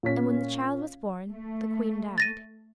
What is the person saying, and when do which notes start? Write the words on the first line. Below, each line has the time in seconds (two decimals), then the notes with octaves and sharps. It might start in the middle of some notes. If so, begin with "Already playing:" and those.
And when the child was born, the queen died.
0.03 A#2 C#4 B6
1.32 A3
2.18 A6 A#6 D#7